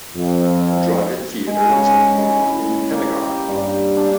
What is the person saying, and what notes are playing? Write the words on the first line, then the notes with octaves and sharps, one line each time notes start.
A drive-in theater is located in Henagar.
F2
G#3
C#3
A#5
G#3
E4
A#3
G4
G2
D4